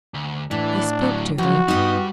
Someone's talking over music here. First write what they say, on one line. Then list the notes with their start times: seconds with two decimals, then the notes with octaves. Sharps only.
I spoke to her.
0.14 D2
0.51 A2 E3 D4
1.01 D3 F#3
1.38 C#2 F3 F#3 F#4
1.68 G2 G3 B3 D#4